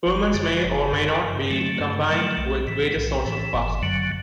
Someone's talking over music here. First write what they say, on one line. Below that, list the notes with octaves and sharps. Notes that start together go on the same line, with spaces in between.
Firmans may or may not be combined with various sorts of passports.
G1
F#2 D3
G1
F#2 D3
G2
D3 F#3 A3
G2
D3 F#3 A3
B1
A2 E3
B1
A2 E3
G1
F#2 D3 F#3